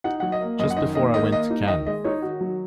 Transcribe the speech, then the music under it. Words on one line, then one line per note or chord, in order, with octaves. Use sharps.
Just before I went to Cannes.
D#4 F#5
F#3 F#5
D#5
A#3
F#2 D#5
F#5
D#3 D#5
A#3 D#5
D#3 D#5
A#3 D#5
D#4
D#3 D#5
G#3 D#5
D#4 C#5
D#3 F#4
F#3